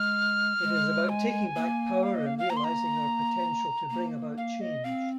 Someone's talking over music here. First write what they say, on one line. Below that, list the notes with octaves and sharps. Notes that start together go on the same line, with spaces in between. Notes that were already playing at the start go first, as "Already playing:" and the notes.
It is about taking back power and realising our potential to bring about change.
Already playing: G#3 F6
G#3
G#5
A#3
F5
D#5
F5
F5
A#3 A#5
C6
A#5
A#3
F5
D#5
C4 F5